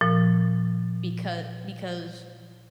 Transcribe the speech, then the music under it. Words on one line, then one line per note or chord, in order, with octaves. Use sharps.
becau because
A#2 F3